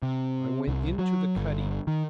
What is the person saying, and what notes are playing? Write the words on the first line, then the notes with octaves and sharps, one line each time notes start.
I went into the cuddy.
C3
C2
F#3
G1
D#3